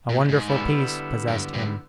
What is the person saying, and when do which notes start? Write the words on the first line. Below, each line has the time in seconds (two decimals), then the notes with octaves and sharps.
A wonderful peace possessed him.
0.10 A#2
0.29 G#2
0.49 D3 G3 B3 E4
1.28 G2
1.54 G2